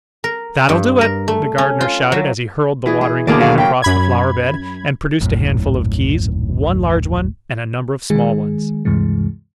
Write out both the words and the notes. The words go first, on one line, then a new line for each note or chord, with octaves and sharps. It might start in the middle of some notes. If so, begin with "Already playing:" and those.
"That'll do it!" the Gardener shouted, as he hurled the watering-can across the flower-bed, and produced a handful of keys--one large one, and a number of small ones.
A#4
G2
A#4
A3
C#4
F4
F#3
E3 G#4
G#4
D#2 B2 D3 A#3 G#4 D5
F#3 F5
C#3 F#3 G5
F#2 B5 G#6
D#1 G#1 F#2 A2
D#3 G#3 G#4
D2 G2 C3 E3 G#3